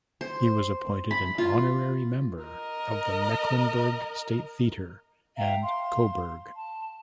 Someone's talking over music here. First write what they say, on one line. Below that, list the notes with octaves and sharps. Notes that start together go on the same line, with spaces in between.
He was appointed an honorary member of the Mecklenburg State Theatre and Coburg.
C5
B5
F4
A#4 D#5
E5 F5 G5 A#5
F5 C6
A5